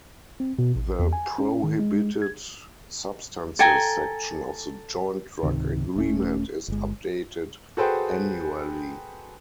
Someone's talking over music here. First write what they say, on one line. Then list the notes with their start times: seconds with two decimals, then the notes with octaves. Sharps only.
The prohibited substances section of the Joint Drug Agreement is updated annually.
0.40 C4
0.59 B2
0.76 A1
0.99 E2
1.13 G#5
1.38 C#4
1.64 D#3
1.80 G#3
2.22 G#6
3.59 A4 G5 G#5 A#5
5.43 C#2 G#2 C3 D#3
5.96 D#1 A3 C#4
6.68 G1 G#3
7.77 F#4 G#4 A4 B4 C5 G5